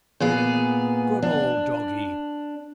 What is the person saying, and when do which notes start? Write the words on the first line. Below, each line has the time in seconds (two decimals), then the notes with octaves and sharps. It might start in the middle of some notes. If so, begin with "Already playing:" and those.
Good old doggy!
0.20 A#2 B3 G#4
1.22 D4